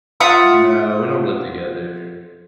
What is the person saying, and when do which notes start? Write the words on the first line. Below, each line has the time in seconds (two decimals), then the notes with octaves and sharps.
No, we don't live together.
0.20 F4 E5 F#5 D#6